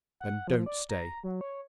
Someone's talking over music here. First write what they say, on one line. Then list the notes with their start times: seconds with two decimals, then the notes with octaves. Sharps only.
"Then don't stay."
0.20 F#5
0.47 F3
0.66 D5
0.89 A#5
1.24 F#3
1.41 C#5